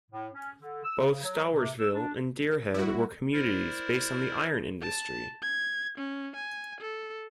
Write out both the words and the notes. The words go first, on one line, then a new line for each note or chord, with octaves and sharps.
Both Stowersville and Deerhead were communities based on the iron industry.
A2
C#4
D3
E6
C#3
F#3
C3
E6
D4
G3 E4 F#4
E4 A#4 C5 D5
A5
G#6
C#4
G#5
A4